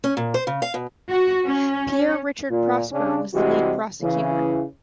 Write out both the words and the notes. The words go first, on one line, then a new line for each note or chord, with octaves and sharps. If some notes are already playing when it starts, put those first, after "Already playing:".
Pierre-Richard Prosper was the lead prosecutor.
C#4
A#2
C5
C#3
F5
B2
F#4
C#4
C#4
A#2
C#3 C#4 D4
C3 E3 G3 G#3 F#4
C#3 E3